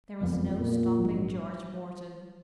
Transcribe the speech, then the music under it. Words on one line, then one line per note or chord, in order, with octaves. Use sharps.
There was no stopping George Morton.
F#1 F2 F3 B3
A#2
A#1 G#2 F#3